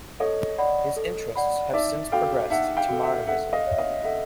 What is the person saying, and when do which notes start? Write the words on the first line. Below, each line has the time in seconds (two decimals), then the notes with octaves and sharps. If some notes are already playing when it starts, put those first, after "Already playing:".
His interests have since progressed to modernism.
0.20 A4 C#5 D#5
0.58 D5 F#5 B5
0.97 A4
1.36 D5 F#5 B5
1.73 D#4 D5 E5
2.12 F#4 A4 F5 G5
2.50 D#4 E5 F#5
2.77 F5 G5
2.88 F#4 A4
3.02 E5 F#5
3.27 A4 E5 F#5
3.53 D#5 F5
3.66 C#5 E5
3.78 D#5 F5
4.04 A4 E5 F#5